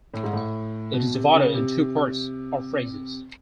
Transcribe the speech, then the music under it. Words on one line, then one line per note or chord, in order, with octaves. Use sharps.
It is divided in two parts or phrases.
A2
G#2
A2
B2
C3
C#3
C3